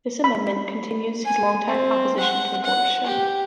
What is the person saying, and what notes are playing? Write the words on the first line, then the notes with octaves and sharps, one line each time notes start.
This amendment continues his longtime opposition to abortion.
B5
G#5
C4
F#5
F#5
G4